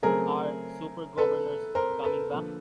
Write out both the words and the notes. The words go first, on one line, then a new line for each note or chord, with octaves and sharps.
Are "Super Governors" coming back?
C#3 F#3 A3 C4 G#4 A#4
A4 B4
A#4 C5
A4 B4
D3 F3 A#3